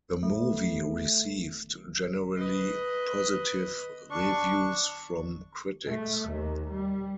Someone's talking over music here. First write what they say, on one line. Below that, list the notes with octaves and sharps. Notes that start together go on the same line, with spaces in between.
The movie received generally positive reviews from critics.
A3
B4 D#5
D4 C#6
A3
D#2
G3